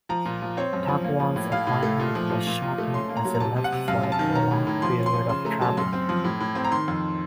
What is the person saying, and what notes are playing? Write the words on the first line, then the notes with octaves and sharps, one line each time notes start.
Takuan's appointment was shortened as he left for a prolonged period of traveling.
F3 A#5
A#2
F3
C4 C#5
F#2
F3
A#3
F3
A2
A2 F5
A2
A3
A#2
F3
F3
A#2
A#2
A3
C#4 C6
A#3
A#5
F#3
A#5
C3 A5
C3
F#5
C3
F#2 F5
F#2
A5
D#3
C#4 A#5
A2
A2
F3 C6
C#4
C6
F3
C#3 C6
A3 A#5
F#3 A5
F#2 C6
C4
F3
A2
A2
C4
A#5
D#3 C6
F2